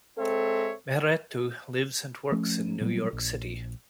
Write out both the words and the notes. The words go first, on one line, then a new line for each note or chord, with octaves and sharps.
Mehretu lives and works in New York City.
G#3 C4 A4 C#5 E5
F3 A3 C#4
A#2 F#3 G3 B3
A#1